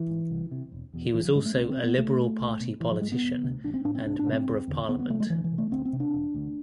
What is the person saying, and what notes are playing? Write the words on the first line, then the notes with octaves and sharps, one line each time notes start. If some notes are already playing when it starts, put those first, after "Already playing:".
He was also a Liberal Party politician and Member of Parliament.
Already playing: E3
G#2
C2
C3
E1
E2 B2
G#1 E3
F3
G#2 G#3
A3
C2 C4
C4
B2
B3
C2 A3
B2
C2
B2
G#1 E3
F3
G#2 G#3
B3
E1
D2 C3
A1 D4
C4
A2 D4
C4
C2 D4
D4
C3
C4
E1
E2 D3
D2 B3
B3
C3 A3
G#3
D2 E3
E3
C3
A3
D2 C4
C4
C3
D4
E1
D2 D3